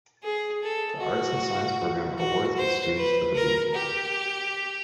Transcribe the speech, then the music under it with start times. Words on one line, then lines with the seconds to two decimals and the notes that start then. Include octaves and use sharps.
The Arts and Science Program awards its students with a B.
0.23 G#4
0.62 A4
1.01 F#4
2.18 F#4
2.57 C5
2.97 B4
3.35 A#4
3.74 G4